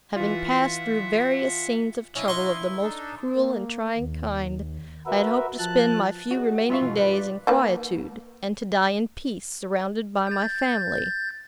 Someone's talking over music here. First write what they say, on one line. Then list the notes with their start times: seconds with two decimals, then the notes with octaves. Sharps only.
Having passed through various scenes of trouble of the most cruel and trying kind, I had hoped to spend my few remaining days in quietude, and to die in peace, surrounded by my family.
0.16 E3 F4 E5 F#5
2.15 C#4 D4 E4 D#5 F5
2.28 C6 C#6
2.62 C#3 E3
2.81 D4 D#4 A4
3.36 A#3
3.98 D#2
5.06 F#4 A#4 B4 E5
5.59 F3 A5 F#6
6.31 C#4 D#4 F#4 G#4
6.69 G2 B3 F4 E5 F5 C#6
6.81 F2 G#2 B2 E3
6.98 F#2 G3 B4
7.13 D5
7.47 D#3 A#3 B4
10.27 G6 A6